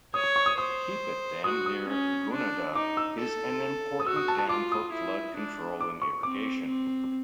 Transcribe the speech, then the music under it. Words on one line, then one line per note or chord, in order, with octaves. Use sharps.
Keepit Dam near Gunnedah is an important dam for flood control and irrigation.
C#5 D#6
C#6
D#6
C5 D#6
F#4 D#6
D#6
C#4
D4
D#4 D6
E6
A4
D#6
F#4 E6
D#6
A5
A5
F4 D6
D#6
E4
D4
D6
C#6
C4 D6
C4